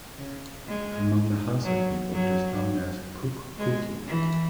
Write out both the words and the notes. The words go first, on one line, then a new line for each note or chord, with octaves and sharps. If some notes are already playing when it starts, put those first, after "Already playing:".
Among the Hausa people it is known as Kukkuki.
C#3
G#3
F#3
F#3
G#3
E3